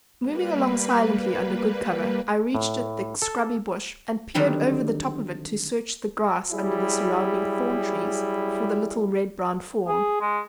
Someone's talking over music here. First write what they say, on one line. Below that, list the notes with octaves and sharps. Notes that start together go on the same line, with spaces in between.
Moving along silently under good cover I reached a thick scrubby bush and peered over the top of it to search the grass under the surrounding thorn-trees for the little red-brown form.
G3 A#3 B4
A2
A4
D3 D#3 F#3 G3 C4
F#3 G3 E4 G#4
G#4
G#3